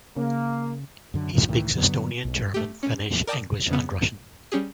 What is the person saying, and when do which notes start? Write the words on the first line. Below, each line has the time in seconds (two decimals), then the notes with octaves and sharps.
He speaks Estonian, German, Finnish, English and Russian.
0.17 C#3 A#3
1.14 F#2 D3
1.33 G2 D#3 F3
1.47 C#2 A2 D#3 E3
1.74 G2 D3 F#3 B3
2.25 B1
2.54 A3 G4
2.83 C#4
3.27 A#4 D5 G5 A5 D6 D#6
3.69 F2 C#3 B3
4.52 G3 C#4 G4 G#4